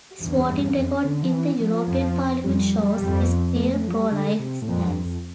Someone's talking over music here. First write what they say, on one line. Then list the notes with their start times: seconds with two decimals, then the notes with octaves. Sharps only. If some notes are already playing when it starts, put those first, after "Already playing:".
His voting record in the European Parliament shows his clear pro-life stance.
0.21 E2 G2
0.49 G2
0.76 F2
1.05 D3
1.23 F3
1.32 E3
1.60 F3
1.88 F2
2.44 F2 G3
3.00 F2
3.56 A3
3.74 A3
3.88 F3
3.93 G3
4.12 D3
4.39 C3
4.62 A2
4.67 F2 A#2
4.86 G2
5.05 F2